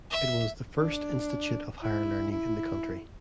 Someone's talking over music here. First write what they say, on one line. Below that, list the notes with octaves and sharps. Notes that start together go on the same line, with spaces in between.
It was the first institute of higher learning in the country.
E5
D4
E4
E4